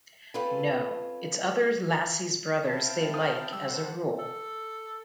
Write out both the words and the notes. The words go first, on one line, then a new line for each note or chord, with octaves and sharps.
No, it's other lassies' brothers they like as a rule.
C4 C#4 F4 A4 B4
C4 E4 F5 G5 A5
D#6 F6
G3 A4 C5 F#5 E6
A4